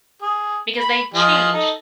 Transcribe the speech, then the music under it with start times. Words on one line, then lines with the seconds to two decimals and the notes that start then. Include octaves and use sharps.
because they've changed
0.22 G#4
0.79 B5
1.14 F3 G#4 D#5
1.53 D#4 A4